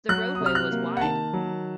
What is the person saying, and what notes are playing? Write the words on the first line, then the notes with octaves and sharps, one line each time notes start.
The roadway was wide.
F#3 F#6
D#6
C3
F6
F#6
A#3
F#5
D#3 A5
F#3